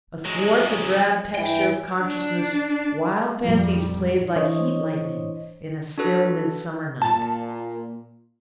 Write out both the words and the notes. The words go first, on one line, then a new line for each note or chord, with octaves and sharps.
Athwart the drab texture of consciousness wild fancies played like heat lightning in a still midsummer night.
F#3 G#3
G2 E3 G5
D4
F2 A#2 F3 G3
E3 D4 C5 C#5 D#5
D4 F#4 A4 B4
A#2 A5